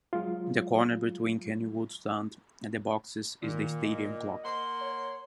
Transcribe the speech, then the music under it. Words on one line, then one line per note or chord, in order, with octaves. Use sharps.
In the corner between the Kenilworth Stand and the boxes is the stadium clock.
F#3 G#3 F4
A#2 D#3
D#5
A#3 F#5 C6
C#5